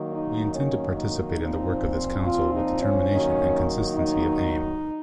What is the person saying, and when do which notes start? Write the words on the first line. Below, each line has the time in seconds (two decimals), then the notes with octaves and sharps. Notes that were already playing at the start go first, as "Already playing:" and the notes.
We intend to participate in the work of this Council with determination and consistency of aim.
Already playing: D#3 F#3 A#3
0.12 D#4
0.54 C#4
0.96 D#4
1.39 A#2 F3 C4
2.25 F4
2.52 D#4
2.81 C#4
3.09 D#3 F#3 A#3
3.94 D#4